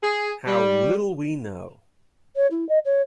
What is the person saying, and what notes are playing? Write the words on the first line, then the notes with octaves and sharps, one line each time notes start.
How little we know!
G#4
G3
C#5
E4
D#5
C#5